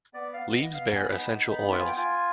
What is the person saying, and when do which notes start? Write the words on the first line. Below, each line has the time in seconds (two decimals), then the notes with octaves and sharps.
Leaves bear essential oils.
0.14 B3 D5
0.33 F5
0.40 B3
0.53 D#5
0.66 B3
0.73 F5
0.92 B3 G#5
1.12 B5
1.18 D#4
1.44 B3
1.51 B5
1.70 F4 B5
1.79 G#5
1.87 G5
1.96 F4 G#5